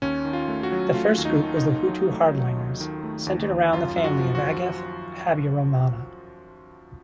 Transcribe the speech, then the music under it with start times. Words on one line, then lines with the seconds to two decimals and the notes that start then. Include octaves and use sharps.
The first group was the Hutu hardliners, centred around the family of Agathe Habyarimana.
0.02 D#2 C#4
0.25 D#3
0.33 F4
0.48 A3
0.63 F#4
0.72 F#3
0.94 A3 F4
1.18 D#2
1.25 D#4
1.41 D#3
1.57 D#4
1.64 D#2
1.88 F#3
2.11 A3
2.34 F#3
2.57 D#2
2.81 D#3
3.03 A3
3.27 D#2
3.50 D#2
3.73 F#2 F4
3.97 F#2
4.04 F#4
4.19 F3
4.35 F#4
4.43 F3